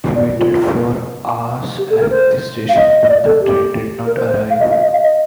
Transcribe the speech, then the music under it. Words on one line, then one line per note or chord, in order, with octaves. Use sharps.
He waited for hours at the station, but the train did not arrive.
D5
F4
G4
A4
A#4
C5
F5
D#5
D#5
D5
A4
G4
A#4
C5
C5
F5
D#5
F5
D#5
F5
D#5